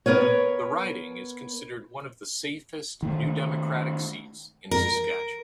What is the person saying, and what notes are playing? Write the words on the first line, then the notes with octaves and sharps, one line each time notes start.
The riding is considered one of the safest New Democratic seats in Saskatchewan.
B3 A#4 B4 C#5
D#3 A3
A#4